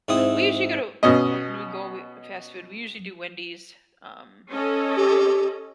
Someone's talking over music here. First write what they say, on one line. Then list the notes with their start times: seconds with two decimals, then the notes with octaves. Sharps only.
we usually go to w when we go we fast food, we usually do Wendy's. Um,
0.08 G#2 C4 E4 D#6
1.03 B2 C#4 D#5
4.51 C#4 A4 D#5
4.97 G4